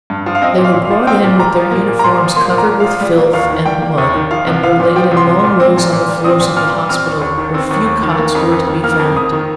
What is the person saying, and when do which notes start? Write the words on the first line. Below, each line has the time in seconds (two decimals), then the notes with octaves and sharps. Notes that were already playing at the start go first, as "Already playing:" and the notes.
They were brought in with their uniforms covered with filth and blood, and were laid in long rows on the floors of the hospital where few cots were to be found.
0.10 G2
0.26 F3
0.35 F5
0.42 C4 D#5
0.58 A#2
0.64 F5
0.74 A#2
0.85 F5
0.91 F3
1.07 C4 G5
1.24 A#2
1.39 A#2 A#5
1.56 F3
1.71 A#3
1.89 A#2
1.99 A#5
2.04 A#2 C6
2.21 F3
2.36 A#3 C6
2.53 A#2
2.58 A#5
2.69 A#2
2.80 F5
2.84 F3
3.01 G3
3.17 A#3
3.33 D#2 F5
3.50 D#3
3.66 G3 G5
3.82 A#3
3.98 D#2
4.14 D#3
4.31 F3 F5
4.47 C2
4.63 C2 F5
4.80 A#2
4.96 F3 G5
5.11 C2
5.17 C6
5.27 C2
5.39 A#2 C6
5.60 C4
5.77 A#2
5.93 A#2
6.09 G3
6.24 C4 D#6
6.40 A#2
6.57 A#2 F6
6.74 G3
6.89 C4 F6
7.06 D#2
7.21 D#2
7.37 D#3
7.54 C4
7.71 D#2
7.86 D#2
8.03 D#3
8.19 A#3
8.35 F2
8.52 F2
8.67 D#3
8.84 A#3 F6
8.99 F2
9.16 F2 D#6
9.32 D#3